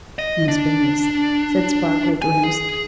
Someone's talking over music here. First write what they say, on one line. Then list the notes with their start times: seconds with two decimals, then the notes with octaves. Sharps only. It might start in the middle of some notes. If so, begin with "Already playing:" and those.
"Miss Baylis," said Spargo to himself.
0.19 D#5
0.48 D4
2.22 G#5
2.44 G#4